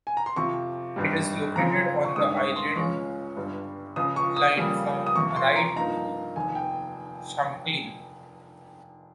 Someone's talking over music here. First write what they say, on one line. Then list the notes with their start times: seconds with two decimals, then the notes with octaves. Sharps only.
It is located on the Island Line from Ryde to Shanklin.
0.07 G#5
0.17 A#5
0.26 C6
0.36 F2 C3 F3 C#6
0.96 G#1 G2 G3
1.56 F2 C#3 F3 C4 A#5
2.05 C#6
2.16 G2 D#3 G#3 D#6
2.37 C#6
2.56 C6
2.76 C#2 C#3 G#3 C#4 C#6
3.36 G1 G2 G3
3.96 C#2 C#3 F3 D#6
4.16 C#6
4.36 D#6
4.56 F2 C#3 G3 A#3
5.06 D#6
5.16 F1 F2 C3 C#6
5.31 C#6
5.36 C6
5.56 A#5
5.76 G2 F3 A#3 D#4 A#5
6.36 F1 D#2 D#3 G#5
6.55 G5